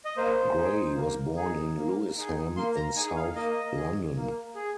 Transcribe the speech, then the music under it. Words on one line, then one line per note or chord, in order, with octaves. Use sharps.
Gray was born in Lewisham, in south London.
D#5
A#3 C5
D#4 G#4
A#3
D#4 G#4
A#3
D#4 G#4
A#3 C6
A#5
D#4 G#4 G#5
F5
A#3 D#5
G#4
A#3
G#4